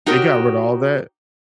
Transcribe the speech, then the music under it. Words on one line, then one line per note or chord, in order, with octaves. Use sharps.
They got rid of all that,
D#4 F#4 G4 A#4 C#5